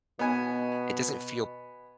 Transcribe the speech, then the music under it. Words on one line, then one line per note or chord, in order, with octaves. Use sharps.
it doesn't feel
B2 B3 G#5